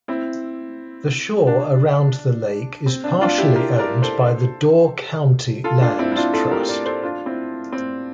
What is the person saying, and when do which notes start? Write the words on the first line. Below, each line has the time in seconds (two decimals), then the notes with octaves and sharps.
The shore around the lake is partially owned by the Door County Land Trust.
0.08 C4 E4
1.47 D4
2.86 C4
3.04 D4
3.21 D4 F4
3.38 E4 G4
3.56 G4 A#4
3.79 A#4 D5
4.02 A4 C5
5.64 F4 A4
5.81 D4 F4
5.99 C4 E4
6.12 E4
6.16 D4 F4
6.33 F4 A4
6.51 G4 A#4
6.69 A#4 D5
6.86 A4 C5
7.03 D4 F4
7.26 C4 E4
7.73 C4